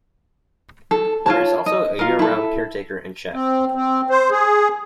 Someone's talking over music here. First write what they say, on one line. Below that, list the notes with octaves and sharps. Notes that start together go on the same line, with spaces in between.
There is also a year-round caretaker and chef.
A4
F4 C#5 A5
D#5
F4 A#4
E4 A4
C4
C4
C5
G#4